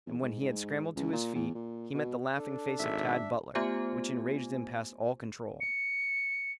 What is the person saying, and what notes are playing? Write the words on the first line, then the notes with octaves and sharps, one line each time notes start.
And when he had scrambled to his feet, he met the laughing face of Tad Butler, which enraged him past all control.
E2
G#2
G#2
C#2
A#2
E2
A#2
B2
D4 A4
G#1 E5
A3 B3 F4 G4 C5 G#5
C#7